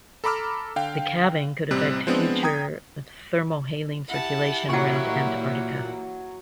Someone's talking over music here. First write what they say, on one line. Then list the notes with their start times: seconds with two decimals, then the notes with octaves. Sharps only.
The calving could affect future thermohaline circulation around Antarctica.
0.24 A4 A#5 B5 D6 E6 F6
0.76 D3 F5 G5
1.71 A1 C3 G3 C4 F#6
2.07 F3 G#3 B3 C4 D4
2.43 G5 A#5 D#6 G#6
4.09 E4 G4 F#5 A5
4.69 A#2 E3 F#3 A#3 F#5 A#5 C#6